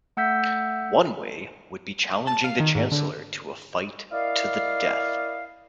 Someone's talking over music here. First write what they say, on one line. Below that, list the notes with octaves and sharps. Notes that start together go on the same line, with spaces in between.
One way would be challenging the Chancellor to a fight to the death.
A3 F#5 E6 G6 B6
A5
F5
D#3
G#2
D3
E4 A#4 D5 D#5 F5